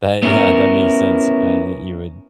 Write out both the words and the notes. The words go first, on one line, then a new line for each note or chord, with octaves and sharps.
that yeah, that makes sense, uh, that you would
B3 C#4 E4 G4 A#4